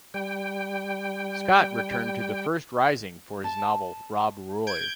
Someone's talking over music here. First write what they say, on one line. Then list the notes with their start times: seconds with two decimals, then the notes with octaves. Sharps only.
Scott returned to the first rising for his novel "Rob Roy".
0.14 G3 G5
3.44 A5
4.67 G6 G#6 D7